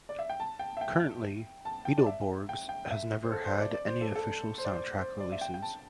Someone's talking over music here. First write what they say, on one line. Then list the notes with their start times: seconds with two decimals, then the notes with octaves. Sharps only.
Currently, "Beetleborgs" has never had any official soundtrack releases.
0.09 D5
0.19 E5
0.29 G5
0.40 A5
0.59 G5
0.77 E5
0.81 G5
1.65 A5
1.85 G5
1.97 D5
2.06 E5
2.49 G5
2.69 G5
2.91 E5
3.23 C5
3.32 A4
3.45 C5
3.60 D5
3.73 D5
3.88 C5
4.01 A4
4.15 A4
4.58 C5
4.65 D5
4.73 C5
4.99 C5
5.20 D5
5.32 E5
5.41 G5
5.54 G5
5.62 A5